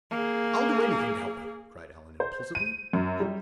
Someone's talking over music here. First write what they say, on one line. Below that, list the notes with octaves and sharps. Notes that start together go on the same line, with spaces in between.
"I'll do anything to help her!" cried Allan, impulsively.
A#3 G#4
C5
D#7
F#2
G3